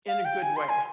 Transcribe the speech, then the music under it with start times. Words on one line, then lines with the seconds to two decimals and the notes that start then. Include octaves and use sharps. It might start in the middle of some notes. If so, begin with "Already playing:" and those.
in a good way,
0.08 F5
0.25 G5
0.43 G#5
0.57 C6
0.69 G#5